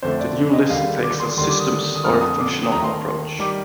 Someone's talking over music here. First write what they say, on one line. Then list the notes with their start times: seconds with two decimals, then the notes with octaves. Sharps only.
The new list takes a "systems" or functional approach.
0.03 F2 D3 F3 A3 C5
0.20 D5
0.53 D#5
0.70 D#2 D3 G3 F5
1.03 D6
1.20 C6
1.37 D#2 D3 G3 C6
1.49 D6
1.60 D#6
1.96 D#6
2.04 F2 D3 F3 A3 F6
2.21 D#6
2.39 D6
2.63 D#6
2.72 D#2 D#3 A3 A#5
2.84 C6
3.39 D#3 G3 D6